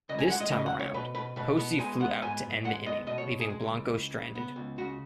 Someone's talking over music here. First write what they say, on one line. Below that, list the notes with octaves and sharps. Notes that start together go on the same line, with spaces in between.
This time around, Posey flew out to end the inning, leaving Blanco stranded.
C#2 D#5
G#5
G#3 F#5
D#5
C#3 D#5
F#5
C#2
C#5
B2 B4
B2 B4
B2 B4
B3
G#3 G#5
B3 F#5
G#2 G#5
G#2
G#3 F#5
B3 D#5
B2 D#5
C#5
B2
G#4
G#3
C#2
C#2
C#3
B3
C#2
C#3 F#4